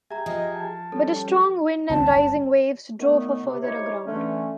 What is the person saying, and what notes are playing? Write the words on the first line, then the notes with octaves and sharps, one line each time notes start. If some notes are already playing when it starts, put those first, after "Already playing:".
But a strong wind and rising waves drove her further aground.
G4 G#4 E5 G#5 A#5
F3 D#5
A5
G3 C#4 A4
C#2 D#3 C4 A5
G1
D#3 A3 B3
C3
D#4 E4 G4 C5 C#5
D3 E3 A3 C#4